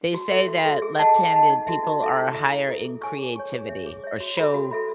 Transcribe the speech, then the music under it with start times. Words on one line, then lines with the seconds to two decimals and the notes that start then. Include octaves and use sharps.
They say that left-handed people are higher in creativity or show
0.14 F#4
0.32 A4 E5
0.48 F#4
0.65 A4 E5
0.82 G#4
0.99 D#5 F#5 A5
1.16 G#4
1.32 D#5 F#5 A5
1.50 D#4
1.67 F#4 A4 E5
1.84 D#4
2.00 F#4 A4 E5
2.17 E4
2.34 A4 E5
2.51 E4
2.68 A4 E5
2.84 G#4
3.01 C#5 G#5 C#6
3.19 G#4
3.36 C#5 G#5 C#6
3.52 G#4
3.69 C#5 E5
3.87 G#4
4.04 C#5 E5
4.20 F#4
4.37 A4 E5 B5
4.54 F#4
4.71 A4 E5 B5